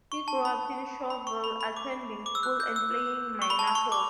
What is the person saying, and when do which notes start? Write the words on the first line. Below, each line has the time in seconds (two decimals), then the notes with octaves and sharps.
He grew up in Shawville, attending school and playing minor hockey.
0.12 C#6
0.28 A5
0.45 B5
1.10 B5
1.27 C#6
1.44 B5
1.61 B5
1.77 D6
2.26 D6
2.35 E6
2.43 F#6
2.60 G6
2.76 E6
3.42 C#6
3.50 B5
3.59 A5
3.67 B5
3.75 C#6
3.92 D6